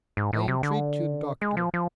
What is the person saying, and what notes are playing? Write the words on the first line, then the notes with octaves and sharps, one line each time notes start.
"I entreat you, doctor!"
G#2
A2
C3
D3
G#3
F3
F3